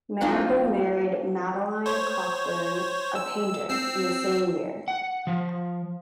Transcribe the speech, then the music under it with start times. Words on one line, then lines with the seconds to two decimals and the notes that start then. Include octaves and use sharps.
Marrable married Madeline Cockburn, a painter, in the same year.
0.21 F#3 A#3 C4 D4 D#4 F4
1.86 C5 C#5
3.15 E6
3.70 C4 E6 C7
4.88 F#5
5.27 F3